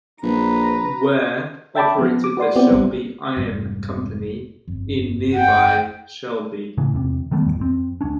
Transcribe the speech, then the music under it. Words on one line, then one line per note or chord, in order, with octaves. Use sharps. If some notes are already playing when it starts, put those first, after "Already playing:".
Ware operated the Shelby Iron Company in nearby Shelby.
A#1 B4 A#5
E5 G5 A5 B5 D6
F3 B3
D6
F#4 B4 D5 C6
B3 C4 E4 G4 C5 D5
A1 G3 B3
F1 G#2 G3
G1 F2
F#5 G5
A2 C#3 E3
E2 C3
D#3 G3 A3 B3
A1 E2
F2 C4
D2 C#4 D4